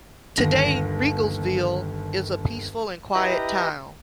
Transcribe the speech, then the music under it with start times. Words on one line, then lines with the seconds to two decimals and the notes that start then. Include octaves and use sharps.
Today, Riegelsville is a peaceful and quiet town.
0.37 G1 D#2 A#6
3.15 E4 G4 B4 D#5 A#5